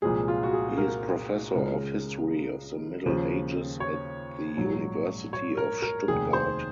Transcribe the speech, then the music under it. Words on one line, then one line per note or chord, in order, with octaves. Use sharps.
He is professor of History of the Middle Ages at the University of Stuttgart.
C2 A#2 F3 G#3 G#4
F4
F#4
G#4
A#4
C#2 C#3 G#3
D#2 C#3 F3
C#5
A#1 G#2 F#3
C#5
A#4
A#4
F1 D#2 D#3 G#4
C5